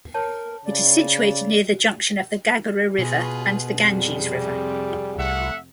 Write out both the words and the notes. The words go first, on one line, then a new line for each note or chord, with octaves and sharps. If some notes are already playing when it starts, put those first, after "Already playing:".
It is situated near the junction of the Ghaghara River and the Ganges River.
A#4 C#5 A5
C#3 D5
B2 F4 G#4 B4
F2 C3 G3 G#4
C2 A3 E5 F#5